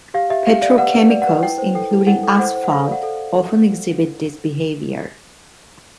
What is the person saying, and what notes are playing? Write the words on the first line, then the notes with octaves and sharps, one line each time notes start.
Petrochemicals, including asphalt, often exhibit this behavior.
G4 F5
G4 E5
G4 F5
D5 F5
B4 F#5
B4
D5
F#5
B4
E4 G5
C5
A4 G5
E4
E4 F#5
A4
C5 F#5
C5
F#5
A4 F5
D5 F#5
A4